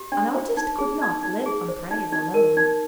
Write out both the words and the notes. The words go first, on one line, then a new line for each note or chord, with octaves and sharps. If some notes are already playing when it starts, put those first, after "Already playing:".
An artist could not live on praise alone.
Already playing: G4
D4
C5
D#4
G#4
D#4
D#4
G#4
C5
D#4
D#4
A#4
D#4